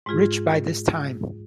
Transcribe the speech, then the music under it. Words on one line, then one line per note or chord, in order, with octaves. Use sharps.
Rich by this time.
G#2 G#3 F4 G#4